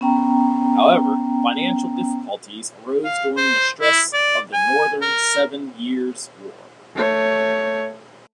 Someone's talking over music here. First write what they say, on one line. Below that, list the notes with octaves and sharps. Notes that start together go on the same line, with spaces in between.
However, financial difficulties arose during the stress of the Northern Seven Years' War.
B3 C#4 G5 A#5
F5
C5
E4
D5
G#5
A#4
A3 C#5